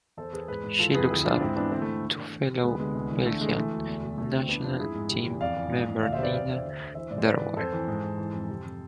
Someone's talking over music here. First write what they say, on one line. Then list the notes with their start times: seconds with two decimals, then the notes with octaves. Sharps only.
She looks up to fellow Belgian national team member Nina Derwael.
0.17 E2 A4 C5
0.33 E2 G#4 B4
0.48 G#2 G#4 B4
0.63 G#2
0.79 E3 F4 A4
0.95 F2 G#4 B4
1.09 D2 E4 G#4
1.25 D2 D4 F4
1.40 G#2 C4 E4
1.56 E3 B3 D4
1.72 D3 C4 E4
1.82 A3 C4
1.87 D3
2.02 E3
2.18 E3
2.33 E3
2.48 C3
2.64 D2 G#3 B3
2.79 D3 G#3 B3
2.95 C2
3.10 E3
3.25 D3 A3
3.41 D3 G#3
3.56 E3 A3
3.72 D2
3.87 E2
4.03 B2
4.18 D3 A3
4.33 D2 A3 C4
4.49 E3 B3 D4
4.64 F2 D4 F4
4.80 G#2 E4 G#4
4.95 G#2
5.11 C3
5.26 E2
5.41 F2 D5 F5
5.56 E3
5.72 G#2
5.88 G#2
6.02 D2 D5 F5
6.13 C5 E5
6.18 C3 B4 D5
6.34 E2 D5 F5
6.49 D3 C5 E5
6.65 D2
6.80 D3
6.95 E3 C5 E5
7.10 G#2 D5
7.18 C5
7.26 G#2 B4 D5
7.41 E3
7.56 F2 A4 C5
7.72 E3
7.88 G#2
8.03 G#2
8.18 E3
8.34 F2
8.50 C3
8.65 C3